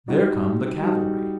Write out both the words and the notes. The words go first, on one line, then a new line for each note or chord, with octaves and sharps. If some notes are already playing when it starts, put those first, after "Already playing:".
"There come the cavalry."
G3 D#4 F#4
G3 D#4 F#4